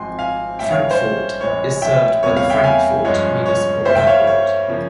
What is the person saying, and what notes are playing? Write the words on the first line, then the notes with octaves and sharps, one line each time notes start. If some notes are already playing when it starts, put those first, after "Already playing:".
Frankfort is served by the Frankfort Municipal Airport.
Already playing: G#1 G#2 F3 C4 G#5 C6
F5 G#5
A#1 G#2 G3 C#4 E5 G5
C#5 F5
C5
A#1 A#2 G#3 C#4 C#5
E5 G5
E2 C3 G3 A#3 C#5
C#5 F5
E5 G5
F5 G#5
G2 F3 G#3 C#4 C#5
C#5
G2 G3 A#3 C5 E5
E5 G5
C#5 F5
C#5
C#3 F3 A#3